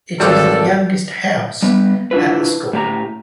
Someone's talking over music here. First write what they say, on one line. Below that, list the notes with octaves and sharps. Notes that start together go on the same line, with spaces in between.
It is the youngest House at the school.
G#1 F#3 G3 A4
G3 B3
D4 E4 F4 B4
A2 G4 A#5